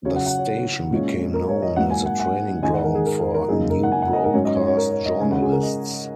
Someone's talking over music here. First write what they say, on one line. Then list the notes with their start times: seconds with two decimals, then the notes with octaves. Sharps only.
The station became known as a training ground for new broadcast journalists.
0.05 C#3 F#3 C#4 C#5
0.16 F#5
0.26 F#5
0.37 C#5
0.91 A#2 G#3 C#4
1.34 A#4
1.49 C#5
1.62 D#5
1.76 G#2 F#3 A#3 F#5
1.90 G#5
2.06 F#5
2.20 F#5
2.62 G#2 D#3 G#3 D#4 G#5
2.74 F#5
2.84 A#4
2.95 G#4
3.06 A#4
3.20 A#4
3.34 A#4
3.49 F#2 C#3 A#3 D#4 G#4
3.70 A#4
3.83 F#5
3.92 G#5
4.02 F#5
4.13 D#5
4.24 A#4
4.34 G#2 F#3 C#4 C#5
4.45 D#5
4.55 C#5
4.67 C#5
4.77 A#4
4.91 C#5
5.06 D#5
5.20 C#3 G#3 C#4 G#5
5.31 F#5
5.42 G#4
5.52 A#4
5.63 D#5